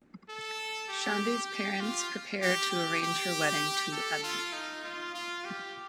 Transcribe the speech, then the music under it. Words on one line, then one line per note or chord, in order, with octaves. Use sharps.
Chandni's parents prepare to arrange her wedding to Amit.
A4
G4
G4
F4
G4
G4
G4
A4
F4
D#4
F4
F4
G4